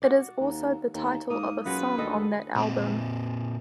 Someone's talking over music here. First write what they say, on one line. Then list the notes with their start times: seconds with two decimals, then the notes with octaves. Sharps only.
It is also the title of a song on that album.
0.02 F#4 D5
0.40 D#2
0.94 D#2
1.30 G#2 A#3 D#6
1.65 F#2 F4 F#4 G#4 B4
1.98 D2 D#3 A4 D#5
2.55 A#2 C4